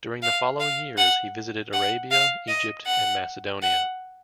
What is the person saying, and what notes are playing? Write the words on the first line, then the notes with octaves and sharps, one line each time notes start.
During the following years he visited Arabia, Egypt and Macedonia.
F5
F5
F#5
F#5
F5
D#5
F#5
F#5